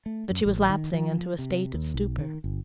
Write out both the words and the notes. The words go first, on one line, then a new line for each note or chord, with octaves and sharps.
But she was lapsing into a state of stupor.
A3
F#2
A1
D#3
F3
C3
D#2
B1
D#3
G1